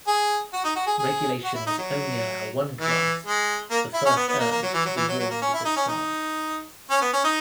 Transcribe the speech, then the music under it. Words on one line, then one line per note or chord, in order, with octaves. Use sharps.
Regulations only allow one clasp, the first earned, to be worn with the Star.
G#4
F#4
D#4
F#4
G#4
G#4
F#4
E4
D#4
F#3
E3
G#3
A#3
E4
C#4
B3
B3
A#3
A#3
F#3
E3
F#3
E3
F#3
F#3
A#3
C#4
E4
D#4
C#4
D#4
C#4
B3
C#4
D#4